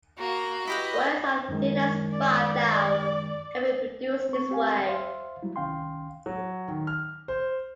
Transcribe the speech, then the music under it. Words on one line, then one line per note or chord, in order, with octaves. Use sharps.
Wires as thin as five thou can be produced this way.
A#3 F#4
E4 G4 B4 D#5
F#2 D#3 G#3
D5
C4 C#6
C4 G4 F5 G#5
C5 E5 F5 C6
F#3 G3 E4
C2 D#3 C#4 F5 G5 C6
F#3
D#3
F6
C5